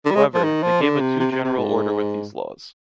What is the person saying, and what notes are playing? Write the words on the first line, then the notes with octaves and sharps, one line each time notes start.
However, they gave a too general order with these laws.
D3
G3
G#3
F3
D#3
F3
D3
C3
C3
C3
C3
G#2